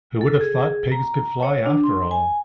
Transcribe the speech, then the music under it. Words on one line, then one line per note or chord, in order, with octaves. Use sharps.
Who would have thought pigs could fly after all?
A4
G#4
A#5
C#5
D4
C6
G#5